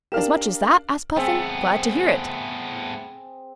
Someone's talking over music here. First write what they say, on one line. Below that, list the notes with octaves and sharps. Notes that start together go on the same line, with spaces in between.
"As much as that?" asked Puffin, "Glad to hear it."
D4 G4 A#4 F5 F6 E7
A3 B3 C4 G#4 E5